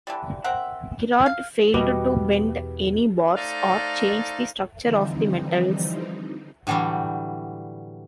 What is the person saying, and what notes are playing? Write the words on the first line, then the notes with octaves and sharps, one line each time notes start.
Girard failed to bend any bars or change the structure of the metals.
D3 E3 G3
C4 A#4 E5 F#5
F5
E2 B2 G3 F#4 B4 D#5 D6
A3 D#4 A4 C5 D5 F5
D3 E3 F3 G3 C4 D#4
A2 D3 E3 F#3 G3